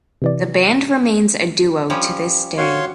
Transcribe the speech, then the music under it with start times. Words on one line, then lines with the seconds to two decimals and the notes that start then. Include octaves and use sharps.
The band remains a duo to this day.
0.22 C3 E3 D5
1.90 F3 G3 C#4
2.58 F#4 C#5 F5 F#5 C6 C#7